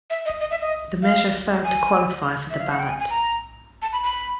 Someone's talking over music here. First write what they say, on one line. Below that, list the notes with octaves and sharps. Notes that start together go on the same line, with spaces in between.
The measure failed to qualify for the ballot.
E5
D#5
D#5
E5
D#5
F5
G#5
E5
F5
F#5
G5
G#5
G#5
A#5
A5
B5
B5